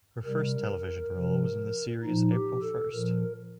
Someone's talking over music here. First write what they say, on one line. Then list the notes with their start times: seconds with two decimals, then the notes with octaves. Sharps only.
Her first television role was in the series "April First".
0.24 C3 G3 A#4
1.14 C3 F3
2.03 A#2 F3 D#4
2.33 G4
2.62 A4
2.92 A#2 F3 A#4